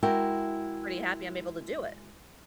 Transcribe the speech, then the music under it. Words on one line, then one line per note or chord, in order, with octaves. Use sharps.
I'm pretty happy I'm able to do it.
G#3 E4 F#4 A#4 G5